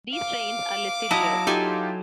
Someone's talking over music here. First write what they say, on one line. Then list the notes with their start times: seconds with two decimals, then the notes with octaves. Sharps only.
These trains are listed here.
0.12 F5 D6
1.11 F#3 E4 D#5 F#5 A5 A#5
1.47 D#4 F4 G4 A4 G#5